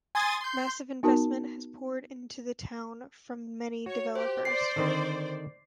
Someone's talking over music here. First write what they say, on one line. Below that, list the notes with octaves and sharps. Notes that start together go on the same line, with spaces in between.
Massive investment has poured into the town from many developers.
G#5 C6 D#6 G#6 A6
C6 G6
B3 D#4 F#4 A#4 A5
F#4 C#5
G4 C5
C5 D5 C7
D3 D#3 C4